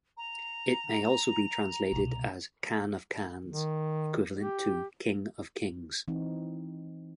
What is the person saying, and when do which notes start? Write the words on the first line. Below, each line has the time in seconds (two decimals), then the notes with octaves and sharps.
It may also be translated as Khan of Khans, equivalent to King of Kings.
0.17 A#5
1.92 C2 B2
3.50 D#3
4.40 G4
6.08 E3 C4 D#4